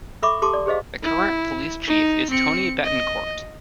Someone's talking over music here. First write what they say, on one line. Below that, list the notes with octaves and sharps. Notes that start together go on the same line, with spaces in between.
The current police chief is Tony Bettencourt.
A4 E5 B5 C#6 D6
G4 A4 A5 C6 D6
D5
G4 G#4 C5 D#5 F5
E4
D#4
C4 C#7
D#5